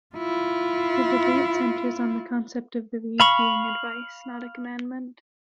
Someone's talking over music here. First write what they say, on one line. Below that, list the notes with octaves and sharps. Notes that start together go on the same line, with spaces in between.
The debate centres on the concept of the Rede being advice, not a commandment.
E4 F4
F5 B5 C#6